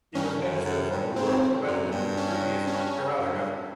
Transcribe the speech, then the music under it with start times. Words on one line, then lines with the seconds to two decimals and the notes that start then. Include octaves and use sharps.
He was Minister for Rural Development in the previous Kerala Government.
0.15 G2 C#4
0.40 F#2
0.65 F#2
0.91 G2
1.11 A2
1.16 G#2 C4
1.66 F#2
1.91 G2
2.17 C#4
2.67 C#4
3.18 F#2
3.34 G2